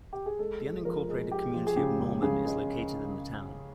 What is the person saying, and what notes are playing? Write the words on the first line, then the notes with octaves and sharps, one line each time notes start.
The unincorporated community of Norman is located in the town.
G4
G#4
G#3 A4
G#3
F3 A#4
G#3
G#3 G4
F3
G#4
C#3 G4
C#2
C#3 G#4
G#3